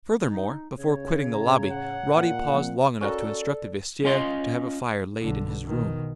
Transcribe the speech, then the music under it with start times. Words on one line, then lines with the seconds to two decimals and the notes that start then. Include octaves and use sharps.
Furthermore, before quitting the lobby, Roddy paused long enough to instruct the vestiaire to have a fire laid in his room.
0.28 D#4
0.77 C#3 C#5
1.33 A2 A#5
1.71 F#5
2.15 A#2
2.54 F3 A#3 C4
3.01 C#4 F#4 A4 A#4 D5
4.05 C#4 F4 D#5 C6
5.21 B1 D3
5.64 B2 D#3